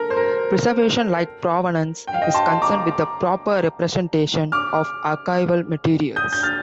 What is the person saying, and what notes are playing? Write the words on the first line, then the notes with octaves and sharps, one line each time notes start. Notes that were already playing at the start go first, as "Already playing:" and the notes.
Preservation, like provenance, is concerned with the proper representation of archival materials.
Already playing: A4 A#4
C5
A#4
G5
F5
D#5 G5
A5 C6
A#5 D6
D6 F6
D#6 G6
G6
F6 A6